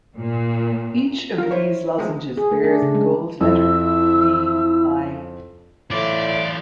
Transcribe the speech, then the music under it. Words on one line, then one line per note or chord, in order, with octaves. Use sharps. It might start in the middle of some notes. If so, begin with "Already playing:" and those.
Each of these lozenges bears a gold letter, V. I.
A#2
F4 A#4
E4 C5 C#5
E2 A2 F3 G#3
G#4
A3
D4
C#3
G#3
F2 E4 E6
A2 E3 F4 D5